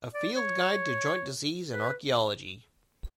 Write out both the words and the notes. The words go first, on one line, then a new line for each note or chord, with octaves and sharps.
"A Field Guide to Joint Disease in Archaeology".
D5
C#5
B4